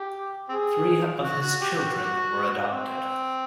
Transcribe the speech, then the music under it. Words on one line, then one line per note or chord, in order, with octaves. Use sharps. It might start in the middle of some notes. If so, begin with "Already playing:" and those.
Three of his children were adopted.
Already playing: G4
C4 G#4
F#4
F#4
G4
F#4
F#4
C4